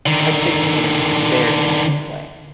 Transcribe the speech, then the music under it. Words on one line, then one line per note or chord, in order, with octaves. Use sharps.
hectic and embarrassing in a way.
D3 D#3